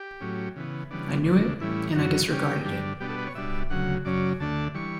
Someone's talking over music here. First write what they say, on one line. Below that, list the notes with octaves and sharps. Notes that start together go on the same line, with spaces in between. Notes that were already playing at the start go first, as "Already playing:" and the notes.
I knew it, and I disregarded it.
Already playing: G4
A2 F#3 C#4
C#3 E3 B3
C#3 E3 G3 B3 D4
D2 C#3 E3 A3 D4
A2 E3 G3 C#4 E4
F#2 C#3 E3 F#4
C#3 G3 C#4 G4
G2 D3 G3 D4
B2 G3 B3 D4 G4
A4
B4
C#5
B2 G3 D4 E5
D2 C#3 F#3 F#5
F#2 C#3 F#3 C#4 D5
D2 D3 A3 D4 A5
E3 G3 C#6